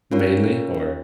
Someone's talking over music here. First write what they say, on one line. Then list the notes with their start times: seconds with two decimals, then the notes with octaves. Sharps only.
mainly or
0.12 C#4 F4 A#4 C#5